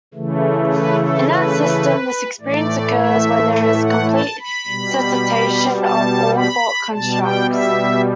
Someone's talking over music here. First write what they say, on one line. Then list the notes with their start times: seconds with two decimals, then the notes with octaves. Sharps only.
In that system, this experience occurs when there is complete cessation of all thought-constructs.
0.14 C#3 E3 A3
0.70 B4
1.00 A4
1.28 B4
2.40 A2 E3 A3 D5
2.97 E5
3.55 E5
3.82 F#5
4.11 A5
4.39 B5
4.67 B2 G3
5.80 A5
6.36 B5
6.93 B2 G3 A5
7.21 G5
7.50 E5